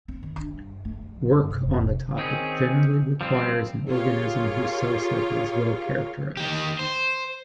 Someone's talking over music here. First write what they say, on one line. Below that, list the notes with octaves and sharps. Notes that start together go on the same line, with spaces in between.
Work on the topic generally requires an organism whose cell cycle is well-characterized.
C4
D#3
D4
G2
A3
F#2
F3
G2
C3
F1
C3
D#3 C4 C#4 G#4
F3 G3 C4
F4 G4 G#4 A#4 C#5 F5
D#3 G4
C5